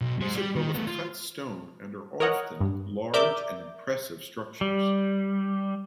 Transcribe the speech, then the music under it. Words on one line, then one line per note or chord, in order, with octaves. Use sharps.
These are built of cut stone and are often large and impressive structures.
B1
G#3 C5
G3
D#3
A3 B3
F4
A#4 C#5 D#5 F#5
G2
A#4 D5 E5 D6 G6
G3